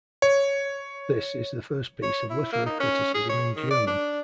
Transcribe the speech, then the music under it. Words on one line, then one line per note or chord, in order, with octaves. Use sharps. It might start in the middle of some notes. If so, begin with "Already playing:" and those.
This is the first piece of literary criticism in German.
C#5
C#5
E4
A#3
D#4
C#4
G#4
C#5
D#3
D5
D4